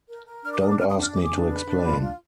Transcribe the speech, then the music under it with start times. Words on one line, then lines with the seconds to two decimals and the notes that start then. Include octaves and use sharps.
Don't ask me to explain.
0.09 A#4
0.26 A#4
0.43 D4 F6
0.52 D6
0.61 D4 D#6
0.70 D6
0.78 B4 F6
0.90 D#6
0.96 D4
1.02 F6
1.14 G#4 D6
1.31 D4
1.49 B4
1.66 D4
1.83 F4 B5
2.01 F4